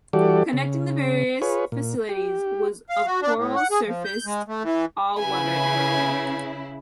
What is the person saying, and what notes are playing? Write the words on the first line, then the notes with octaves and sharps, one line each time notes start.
Connecting the various facilities was of coral-surfaced all-weather road.
E3 G3 F#4 G4 A4 D5
C#3
F4 G#4 B4 C#5
A#2
G4
F5
F#4
D4
A2
F#5
G#4
F3
G6
G#3
A3
E3
C#3 E4 B4 G#5